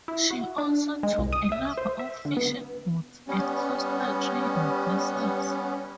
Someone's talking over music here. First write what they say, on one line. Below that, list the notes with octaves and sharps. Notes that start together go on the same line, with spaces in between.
She also took a number of fishing boats and coastal trading vessels.
E4
F#4
D4
G#3
C2
D#6
E5
C5
E5
D3
B3
G3 B3 C#4